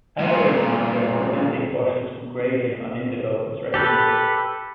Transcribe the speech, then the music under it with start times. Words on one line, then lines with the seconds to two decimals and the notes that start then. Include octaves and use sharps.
As there is no cure, preventing horses from grazing on indigo is recommended.
0.19 G2 A#2
3.74 G4 A4 B4